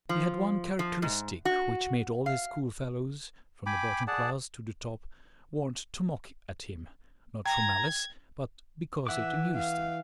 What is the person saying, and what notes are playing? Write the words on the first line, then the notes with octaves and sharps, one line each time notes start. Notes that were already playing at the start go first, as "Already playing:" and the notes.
He had one characteristic which made all his schoolfellows from the bottom class to the top want to mock at him, not from malice but because it amused them.
F3
F3
G#2
F#4
F5
G5 G#5 B5 D6
G#4 D5 F#5 A5
G5 A#5 G#6
E3 E5 F#5 D6
F5